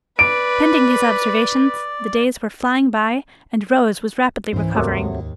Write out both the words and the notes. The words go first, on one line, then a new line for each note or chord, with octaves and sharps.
Pending these observations, the days were flying by; and Rose was rapidly recovering.
B4 D5 D7
C#2 G#2 E3 C#4 C5
D#2 C3 F#3 A3